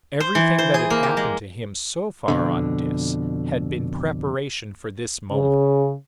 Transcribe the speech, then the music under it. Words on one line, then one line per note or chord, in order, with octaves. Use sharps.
Everything that had happened to him so far on Dis had been preparation for this moment.
C5
E3
C5
G#4
A#3
G4
G#3
F2 B2 D3
C#3